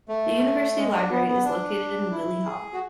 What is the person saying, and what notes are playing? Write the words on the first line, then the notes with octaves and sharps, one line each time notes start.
The University Library is located in Wyllie Hall.
A3
G#3
D4
B3
B3
D4
E4
G#4
F#4